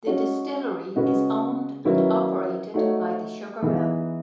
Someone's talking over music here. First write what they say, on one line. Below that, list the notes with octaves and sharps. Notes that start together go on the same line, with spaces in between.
The distillery is owned and operated by the sugar mill.
G#3 C#4 F#4 C#5
C#3 G#3 C#4 F#4 B4
D#3 F#3 C#4 E4 B4
A3 D#4 F#4 C#5
E3 B3 D#4 G#4